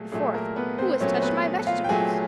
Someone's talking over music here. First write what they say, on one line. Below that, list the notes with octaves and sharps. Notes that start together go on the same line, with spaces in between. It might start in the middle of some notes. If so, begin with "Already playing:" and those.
The fourth, "Who has touched my vegetables?"
Already playing: A#2 F#3 A3 G#4
A#2 F#3 A3 G#4
A#3 A#4
B3 B4
C4 C5
A#2 F#3 A3 C#4 C#5
C5
B3 B4
F4 F5
G5
A#2 F#3 A3 G#4 G#5